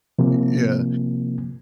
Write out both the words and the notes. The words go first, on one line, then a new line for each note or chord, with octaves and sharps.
y yeah.
C3 F3 A#3